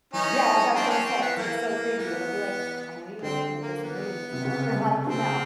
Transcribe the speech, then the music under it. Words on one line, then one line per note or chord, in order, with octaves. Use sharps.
Yeah, as I was gonna say, it's, like, so creepy. It'll be like, "I know you were looking at this knitting needle," or, like, you know.
E3 C#4 D#4
C4 D4
C#4
C4
B3
E3 A#3
A#3
E3 B3
D3 C4
A#3
B3
C3
C#3
C#3 C4
C#3